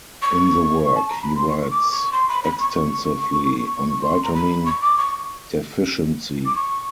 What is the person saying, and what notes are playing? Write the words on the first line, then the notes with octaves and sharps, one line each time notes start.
In the work, he writes extensively on vitamin deficiency.
C#6
A5
A#5
B5
C6
C#6
D6
C#6
C6
B5
B5
C#6
C6
A#5
B5
C#6
D6
C#6
D6
C#6